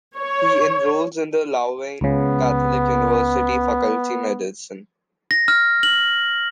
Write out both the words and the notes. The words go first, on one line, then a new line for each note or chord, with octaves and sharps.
He enrolls in the Louvain Catholic University faculty medicine.
C#5
C#2 C#3 B3
A#6
F6
F#7